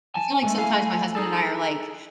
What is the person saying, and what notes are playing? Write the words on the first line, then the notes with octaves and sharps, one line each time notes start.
I feel like, sometimes, my husband and I are, like,
G#5 A5
A2 G#3 A3
A3 E4 F5
D#4 G#4 A4